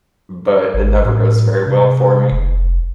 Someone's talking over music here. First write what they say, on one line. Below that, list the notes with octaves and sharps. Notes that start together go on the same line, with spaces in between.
but it never goes very well for me.
G#1
A2
C3
F1